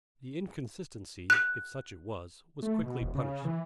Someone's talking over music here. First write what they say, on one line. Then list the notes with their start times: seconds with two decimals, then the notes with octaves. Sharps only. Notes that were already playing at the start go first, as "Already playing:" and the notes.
The inconsistency, if such it was, was quickly punished.
1.30 F#6
2.62 A3
2.82 B2
3.01 E1
3.15 C#3
3.45 E3